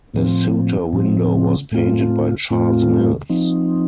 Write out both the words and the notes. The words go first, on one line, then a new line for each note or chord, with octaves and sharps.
The suter window was painted by Charles Mills.
A2 F3 C4
A2 F3 C4
A2 A3 C4 F4
A2 A3 C4 F4
F3 C4 D#4